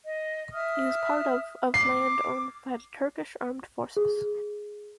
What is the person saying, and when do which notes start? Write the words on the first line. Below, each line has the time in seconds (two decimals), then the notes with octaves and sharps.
It is part of of land owned by the Turkish Armed Forces.
0.07 D#5
0.53 E5 D#6 F6
1.74 D6 C7
3.97 G#4